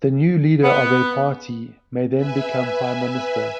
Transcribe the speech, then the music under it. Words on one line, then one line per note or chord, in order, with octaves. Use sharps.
The new leader of a party may then become prime minister.
B3
B4 E5 G#5